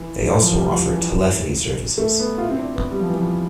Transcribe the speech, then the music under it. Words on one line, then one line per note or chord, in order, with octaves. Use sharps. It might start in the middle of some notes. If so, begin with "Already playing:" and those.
They also offer Telephony services.
Already playing: E3
E3
F3
G3
F3
E3
A3
B3
F4
E4
C4
D4
B3
G3
F3
E3
F3